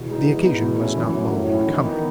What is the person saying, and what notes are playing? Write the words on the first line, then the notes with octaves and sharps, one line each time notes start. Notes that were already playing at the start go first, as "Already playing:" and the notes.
The occasion was not long in coming.
Already playing: E2 B2
G#3 D#4
E3
B3 D#4
B2
A3 C#4 E4
F#2 E3
A3 C#4 E4
A2 F#3
C#4 E4
D#3 E3
B3 D#4